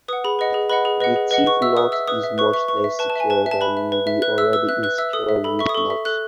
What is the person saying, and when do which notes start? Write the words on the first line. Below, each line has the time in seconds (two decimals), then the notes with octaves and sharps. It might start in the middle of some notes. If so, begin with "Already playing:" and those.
The thief knot is much less secure than the already insecure reef knot.
0.08 B4 F#5 D#6
0.24 G#4 B5
0.39 B4 D#5 F#5
0.54 G#4
0.69 B4 D#5 F#5 B5
0.85 G#4
1.00 B4 D#5 F#5
1.16 G#4
1.31 B4 D#5 F#5
1.47 B4 C#6
1.62 E5 E6
1.77 B4 D#6
1.92 E5 E6
2.08 B4 D#6
2.23 E5
2.38 B4 C#6
2.53 E5 C#6
2.68 B4 C#6
2.84 E5
2.99 B4 A5
3.10 A5
3.16 E5 G#5
3.30 B4 A5
3.46 E5
3.51 A5
3.61 B4 B5
3.77 E5
3.92 B4
4.07 E5
4.22 B4 F#6
4.38 E5 E6
4.53 B4 E6
4.69 E5 F#6
4.83 B4 F#6
4.98 E5 E6
5.13 A4 D#6
5.29 E5
5.44 A4 B5
5.59 E5 C#6
5.69 D#6
5.75 A4 C#6
5.90 E5
6.05 A4 F#6